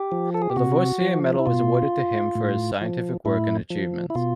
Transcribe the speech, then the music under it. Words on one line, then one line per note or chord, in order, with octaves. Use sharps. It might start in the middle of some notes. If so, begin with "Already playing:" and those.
The Lavoisier Medal was awarded to him for his scientific work and achievements.
Already playing: G4
F3
A4
G#4
G4
C3 F#4
F3
E4
B2 F4
A2
F3
A2 E4
F3
E4
B2 F4